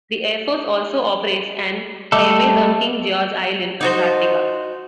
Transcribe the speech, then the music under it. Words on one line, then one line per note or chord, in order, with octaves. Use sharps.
The Air Force also operates an airbase on King George Island, Antarctica.
G3 A3 A4 D#5 E5 D6
D#4 F#4 C5